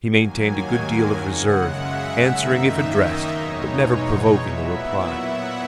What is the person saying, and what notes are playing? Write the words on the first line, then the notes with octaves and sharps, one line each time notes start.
He maintained a good deal of reserve, answering if addressed, but never provoking a reply.
D#2 D#3 F#3 A#3 G#5
F#2 C#3 G#3 F#5
E5
F#2 D#3 A#3 D#4 E5
D#5
E2 B2 G#3 D#4 C#5
A#2 F#3 B3 E4 E5
F#5